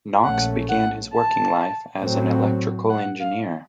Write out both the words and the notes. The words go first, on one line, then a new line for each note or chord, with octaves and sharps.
Knox began his working life as an electrical engineer.
A#1 A#2 A3 C#4 F#5
F#5
A5
A2 F#3 C4
F#5
F5